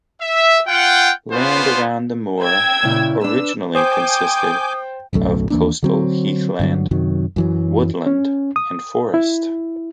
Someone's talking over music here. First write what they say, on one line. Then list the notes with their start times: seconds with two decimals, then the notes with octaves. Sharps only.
Land around the Moore originally consisted of coastal heathland, woodland, and forest.
0.21 E5
0.67 F4 F#5 G5
1.32 B3 C#4 D4 F4 B4 C5
2.41 G5 E6 G#6
2.82 A#2 C#3 E4
3.21 D4 B4 E6
3.75 C5 G5 G#5 D6 D#6 G6
5.13 D1 B1 F#2 A3
5.50 D#2 E3 A#3 D4
5.83 D3 F#3 C4
6.59 G2 D3 F#3
6.91 F#2 C3 D#3 F#3
7.36 F#2 E3 F#3
8.06 C#4
8.56 D#6
9.14 E4